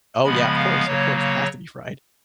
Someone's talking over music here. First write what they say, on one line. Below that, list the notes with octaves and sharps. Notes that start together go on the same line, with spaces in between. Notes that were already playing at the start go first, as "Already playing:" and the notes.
Oh, yeah. Of course, of course, it has to be fried.
C#3 F3 G#3 B3 B5
F5
C#3 F#3 A#3 C#5
C#5